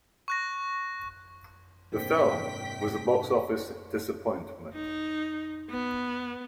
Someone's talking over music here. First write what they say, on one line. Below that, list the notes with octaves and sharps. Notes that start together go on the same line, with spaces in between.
The film was a box office disappointment.
C#6 F#6 A#6
G#2 C3 E3 A#3 D4 C5 G5 B6
D#4
B3